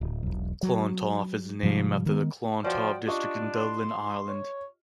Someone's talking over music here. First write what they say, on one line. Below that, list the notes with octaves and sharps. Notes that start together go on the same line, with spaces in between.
Clontarf is named after the Clontarf district in Dublin, Ireland.
D1
E1 B1
F#3
G#2 C3 F3 G3
D#3 G#3 B3
F3 F#4 C#5 D5 G5
D4 F4 G4 D#5 C#6
C6
C#5